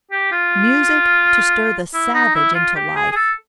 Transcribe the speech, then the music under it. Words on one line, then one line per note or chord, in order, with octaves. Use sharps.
Music to stir the savage into life.
G4
F4
E4
D#4
E4
F4
G4
G#4
G#4
A4